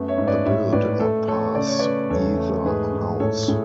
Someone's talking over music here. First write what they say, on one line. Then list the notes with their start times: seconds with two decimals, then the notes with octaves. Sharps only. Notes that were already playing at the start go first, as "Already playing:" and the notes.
The bill did not pass either house.
Already playing: F#2 A3 B3
0.08 C#5 E5
0.18 G#2
0.27 B4 D5
0.45 A2 C#5 E5
0.72 A2 B4 D5
0.93 B4
1.00 A3 A4
1.27 A3 A4 C#5
1.55 C#3 D5
1.67 C#5
1.79 C#3 B4 D5
2.10 E2 A4 C#5
2.37 A3
2.65 G#2 G#4 B4
2.93 G#2
3.20 A2 A4 C#5
3.48 A2 G#4